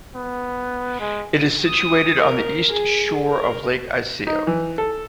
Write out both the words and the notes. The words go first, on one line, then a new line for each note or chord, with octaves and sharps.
It is situated on the east shore of Lake Iseo.
B3
G#3
D#6
A#4
G#4
A#4
D#4
E3
A4